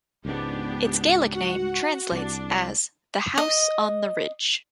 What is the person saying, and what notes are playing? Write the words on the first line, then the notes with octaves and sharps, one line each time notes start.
Its Gaelic name translates as "the house on the ridge".
C#2 G#2 B3 D4 G4
F#4 F#5
C2 D4
D#5